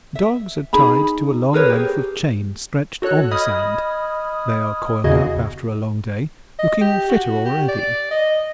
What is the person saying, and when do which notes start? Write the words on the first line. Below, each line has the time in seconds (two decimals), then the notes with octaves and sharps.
The dogs are tied to a long length of chain stretched on the sand; they are coiled up after a long day, looking fitter already.
0.15 E5
0.73 D#4 G#4 A#5 B5
1.53 G#4 A#4 B4 C#5
1.70 G4 G#4
3.02 F#4 A4 C#5 F#6
3.31 D#5 B5 D#6 F6 G#6
5.04 E2 C#3 F#4 G#4 D#5 G#6
6.58 D#5
6.81 G4
7.09 F#4
7.45 G4
7.68 D5
8.11 D#5